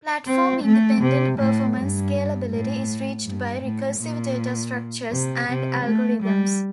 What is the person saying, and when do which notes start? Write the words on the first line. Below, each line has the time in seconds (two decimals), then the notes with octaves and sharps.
Platform-independent performance scalability is reached by recursive data structures and algorithms.
0.27 C4
0.64 A3
1.02 C3
1.40 A2
1.77 G2
2.51 A2
3.25 G2
3.62 A2
4.00 A#2
5.11 C3
5.49 C3
5.86 A3
6.23 G3